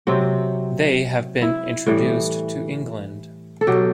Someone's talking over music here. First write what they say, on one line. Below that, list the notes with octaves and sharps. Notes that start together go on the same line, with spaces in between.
They have been introduced to England.
C3 F#3 C4
E4
A2 E3 G3
A4
B2 F#3 G4